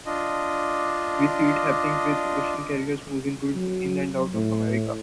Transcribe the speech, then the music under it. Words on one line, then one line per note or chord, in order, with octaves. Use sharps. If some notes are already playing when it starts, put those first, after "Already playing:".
We see it happening with ocean carriers moving goods in and out of America.
D4 F4 D#5
F#3
A2